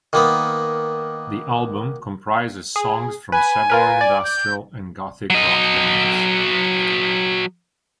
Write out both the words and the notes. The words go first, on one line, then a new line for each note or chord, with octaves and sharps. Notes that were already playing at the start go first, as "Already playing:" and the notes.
The album comprises songs from several industrial and gothic rock bands.
D#3 A#3 B3
G#4
B4 G#5
F4 A#4 B4
D5
G6
F#3 D#5